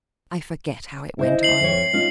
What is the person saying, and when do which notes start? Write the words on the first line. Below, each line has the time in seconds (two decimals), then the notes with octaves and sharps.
I forget how it went on.
1.19 E4 C5 D#5
1.43 C7 F#7
1.60 F2 C#5
1.93 C#4 D#4 F4